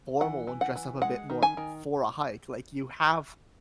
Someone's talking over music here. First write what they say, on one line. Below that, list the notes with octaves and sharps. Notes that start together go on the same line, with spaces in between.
formal and dress up a bit more for a hike. Like, you have
E3 F#5
E3
F#5
E3
G#3 F#5
D#3
G#5
D#3